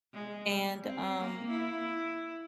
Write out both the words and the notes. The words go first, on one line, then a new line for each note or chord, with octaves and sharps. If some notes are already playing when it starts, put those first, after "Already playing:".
and, um
G#3
G3
C4
A#3
E4